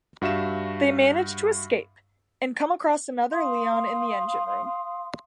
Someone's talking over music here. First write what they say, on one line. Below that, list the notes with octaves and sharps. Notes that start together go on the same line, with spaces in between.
They manage to escape and come across another Leon in the engine room.
G2 F#4 E5 F5 E7
F5 C6 D#6